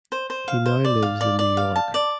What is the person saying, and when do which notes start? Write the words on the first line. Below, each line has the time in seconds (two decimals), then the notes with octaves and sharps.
He now lives in New York.
0.12 C5
0.30 C5
0.48 F5
0.66 C5
0.85 D5
1.02 F5
1.21 D5
1.39 D5
1.57 F5
1.76 A5
1.94 D5